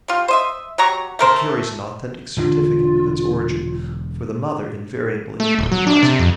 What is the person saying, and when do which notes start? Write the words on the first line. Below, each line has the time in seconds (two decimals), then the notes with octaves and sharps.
It carries an authentic certificate of its origin, for the mother invariably occupies it.
0.08 G3 F4
0.28 C5 D#5 E5
0.78 F#3 G4 A#5 C#6
1.19 A3 A#4 C5
2.37 E1 D3 D4 F4
5.40 A3
5.59 D#1
5.72 F#3
5.87 D4
6.03 C3
6.19 F2